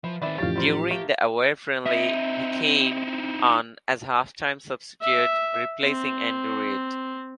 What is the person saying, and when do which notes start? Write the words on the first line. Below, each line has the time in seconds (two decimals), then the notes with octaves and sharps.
During the away friendly, he came on as half-time substitute, replacing Andy Reid.
0.04 E3 F3
0.22 D#3 E3 C4 D5 E5
0.38 A1 F3 G4 C#5 F5 A6
0.56 G3 C4 A#4
0.91 A3 A#3
1.86 C4 D#4 E4 E5
5.02 E5
5.83 C4